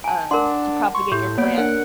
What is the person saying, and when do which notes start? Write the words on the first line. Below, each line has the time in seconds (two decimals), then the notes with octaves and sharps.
um, to propagate your plant."
0.04 G#5 A5
0.31 D4 A#4 F#5 C6
0.95 C6 C#6
1.12 A2 G4 G6
1.38 A#3 B3 C#5 D5 D7
1.58 D4 A#4 F#5